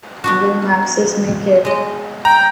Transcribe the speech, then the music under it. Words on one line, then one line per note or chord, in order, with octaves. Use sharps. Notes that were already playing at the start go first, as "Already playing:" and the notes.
Will maxis make it?
B3 D4 F#4
G#3 D#5
G5 A#5